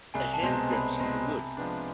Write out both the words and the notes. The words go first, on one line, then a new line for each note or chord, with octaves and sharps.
The handgrips are wood.
C2 G#5
A5
B2 G#3 C4
A#5
C2 B5
B2 G#3 C4
C3
F3 G#3 B3 D4